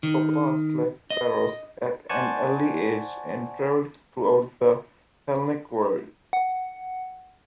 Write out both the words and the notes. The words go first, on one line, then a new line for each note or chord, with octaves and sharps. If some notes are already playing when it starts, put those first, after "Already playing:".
Skopas left Paros at an early age and travelled throughout the Hellenic world.
D#3
D#5
C5 D5 F#5 G#5 A5 C#6
F#5